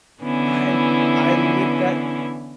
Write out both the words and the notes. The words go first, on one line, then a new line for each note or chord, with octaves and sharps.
I I lit that
D3 E3 B3 C#4 E4